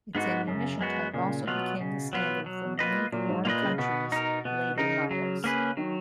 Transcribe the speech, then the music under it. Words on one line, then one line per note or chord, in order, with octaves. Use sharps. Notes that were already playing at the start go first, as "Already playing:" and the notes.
Its ammunition type also became the standard for many foreign countries' later models.
G#2 G#3 B3 F#4
F#2 C#3
G#3 B3 F#4
A#2 C#3
B2 F#3 B3 F4
C#3
F#3 B3 F4
F#3
A#3 F4 B4 D#5
A#2 F#3
G#2
A#2 A#3 F4 B4 D#5
C#3
B2 B3
D#4 A#4
B2 B3
C#3 D#4 A#4
F#3
A#3 C#4 G#4 B4
D#3 F#3